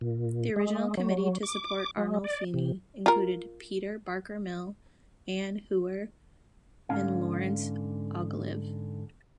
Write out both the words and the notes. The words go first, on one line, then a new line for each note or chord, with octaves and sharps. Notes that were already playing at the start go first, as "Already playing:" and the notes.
The original committee to support Arnolfini included Peter Barker-Mill, Ann Hewer, and Lawrence Ogilvie.
A#2
G#3
F#3
D6
G#3
D5
C3
F4 A#4
G#2 D3 E3 C#4 F5